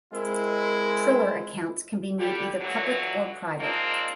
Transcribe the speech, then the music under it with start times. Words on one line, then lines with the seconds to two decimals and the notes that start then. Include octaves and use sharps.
Triller accounts can be made either public or private.
0.13 G#3 C4 E4 A#4
2.18 D3 G3 G4
2.61 A#2 D3 E3 F#3
3.59 G#3 A#3 C4 D4 D#4 F4